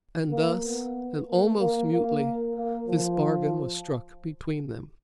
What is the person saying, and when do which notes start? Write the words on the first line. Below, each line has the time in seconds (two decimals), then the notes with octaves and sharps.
And thus, and almost mutely, this bargain was struck between them.
0.31 A#3
0.63 B3
1.28 A#3
1.60 A#3
1.92 A#3
2.56 A#3
2.88 F3